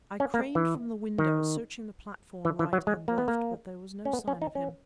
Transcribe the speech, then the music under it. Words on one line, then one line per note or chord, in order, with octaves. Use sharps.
I craned from the window, searching the platform right and left. But there was no sign of him.
C#4
A#3
E3
D#3
E3
E3
F#3
G#3
A#3
B3
A#3
C#4
B3
C#4
D#4
C#4